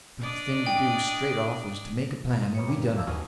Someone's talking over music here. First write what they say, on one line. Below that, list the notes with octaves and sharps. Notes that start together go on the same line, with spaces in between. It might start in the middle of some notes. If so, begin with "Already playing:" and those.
But the thing to do, straight off, was to make a plan; and we done it.
D4 D5 D#5
G5
D#5 C6
D#3 G3 B4 C#5 C#7
G2 A#3 D#4 G4 D6
B4 E7
G3 C4 E4 F5 A5
D#2 E3 C#4 F#4 D#5 D#6